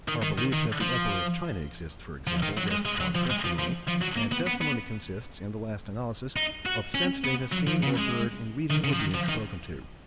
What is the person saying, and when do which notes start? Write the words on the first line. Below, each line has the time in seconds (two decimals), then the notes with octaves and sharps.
Our belief that the Emperor of China exists, for example, rests upon testimony, and testimony consists, in the last analysis, of sense-data seen or heard in reading or being spoken to.
0.08 D#3
0.23 D#3
0.38 D#3
0.53 D#3
0.81 F3
2.27 F3
2.42 D#3
2.57 F#3
2.71 G#3
2.85 G#3
3.00 F#3
3.15 F3
3.30 G#3
3.45 F3
3.59 F3
3.88 F3
4.02 F#3
4.17 A#3
4.32 B3
4.47 B3
4.62 B3
6.36 D#4
6.66 F#4
6.95 C#4
7.25 B3
7.53 F#3
7.67 F3
7.83 C#3
7.97 G#3
8.70 D#3
8.84 C#3
8.93 F3
8.99 D#3
9.14 F3
9.29 D#3